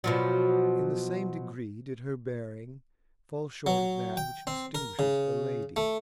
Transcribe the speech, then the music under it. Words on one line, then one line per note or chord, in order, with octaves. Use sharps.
In the same degree did her bearing fall short of that which distinguishes a lady.
B2 F3 F#3
F#3
G5
C4
A#4
C#3
A3